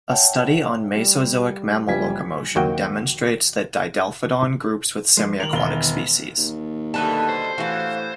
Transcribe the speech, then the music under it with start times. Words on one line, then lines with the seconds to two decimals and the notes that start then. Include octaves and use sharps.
A study on Mesozoic mammal locomotion demonstrates that "Didelphodon" groups with semi-aquatic species.
0.09 C#5 E5 F#5 G5 A5
0.96 G3
1.87 F#1 F3 G3 G#5 G#6 B6
2.56 D#2 F#3 A#3 F#4 G5
5.17 F3 G#3
5.40 D#3 A#4 F7 F#7
5.53 E1 G7
6.38 D#2
6.94 B2 D3 G3 A3 B4 A5
7.29 C5
7.58 A2 E3 F#4 F5